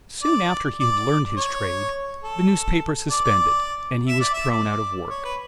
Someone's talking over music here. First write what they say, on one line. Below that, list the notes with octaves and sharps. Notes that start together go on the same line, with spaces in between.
Soon after he had learned his trade, the newspaper suspended, and he was thrown out of work.
D5
D5
C#5
A4
D5
D5
E5
D5
E5
D5
C#5
B4